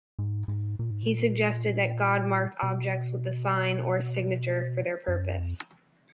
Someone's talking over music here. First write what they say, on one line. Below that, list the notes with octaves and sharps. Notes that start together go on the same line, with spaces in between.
He suggested that God marked objects with a sign, or "signature", for their purpose.
G#2
G#2
A#2
G#2
A#2
B2
F#2
F2